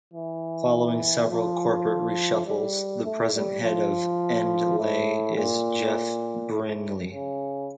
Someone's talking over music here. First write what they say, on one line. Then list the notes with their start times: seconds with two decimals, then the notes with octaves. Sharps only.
Following several corporate reshuffles, the present Head of Endleigh is Jeff Brinley.
0.14 E3
1.30 F3
2.47 G3
3.04 A3
3.33 G3
3.62 F3
4.79 A2
5.36 A#2
6.53 A2
7.11 C#3